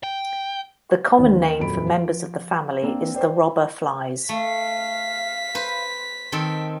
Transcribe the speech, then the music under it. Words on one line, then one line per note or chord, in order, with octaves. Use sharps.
The common name for members of the family is the robber flies.
G5
D#2 D#3 E3 C#4
D#1 F2 F#3 B5 D7
F3
A#3 C4 D4
C5 D5 G5
E4
A3 F5 B6
B4 C5
D#3 C4 A4